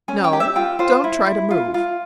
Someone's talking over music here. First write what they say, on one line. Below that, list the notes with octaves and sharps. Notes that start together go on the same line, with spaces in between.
No, don't try to move.
C#4 G#5
G5
G4
E5
F4 G5
F4 C5
E4
E4
F4
F4